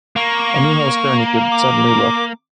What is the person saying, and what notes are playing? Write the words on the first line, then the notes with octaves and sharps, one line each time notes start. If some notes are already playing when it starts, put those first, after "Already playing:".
I knew how stern he could suddenly look.
A#3 C#6
D6